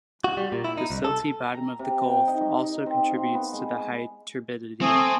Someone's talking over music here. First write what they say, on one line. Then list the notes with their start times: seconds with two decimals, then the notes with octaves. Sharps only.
The silty bottom of the gulf also contributes to the high turbidity.
0.24 F#4
0.37 G3
0.52 A#2
0.64 E4
0.77 D#4
0.90 C2
1.04 A4
1.54 A#5
1.79 C3
2.04 G5
2.27 D#4
2.64 D#4
2.86 C4
3.11 F5
3.34 B3
3.53 G#3
4.81 A3 C4 G#5 D#6